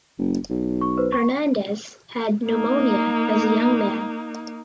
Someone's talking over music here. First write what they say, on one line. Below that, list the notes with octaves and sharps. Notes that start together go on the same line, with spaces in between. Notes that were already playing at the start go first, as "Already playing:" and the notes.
Hernandez had pneumonia as young man.
F#1
B1
C#6
B4 C5
C#6
A#3 D#4